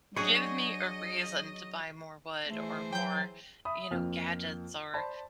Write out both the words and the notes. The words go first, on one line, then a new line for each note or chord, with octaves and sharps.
give me a reason to buy more wood or more, you know, gadgets or,
F#3 D4 G#4 D#5 F#5 G5 C#6
E3 A3 G#4 C5
F#3 G5 G6
E5 B5 D#6
F2 F3 A#3 F6
C5 D5 A5 B5